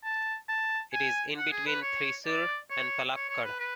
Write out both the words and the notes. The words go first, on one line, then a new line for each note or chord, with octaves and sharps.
It is in between Thrissur and Palakkad.
A5
A5
G#5
F#5
G#4
B4
C#5
D5
C#5
C#5
C#5
B4
B4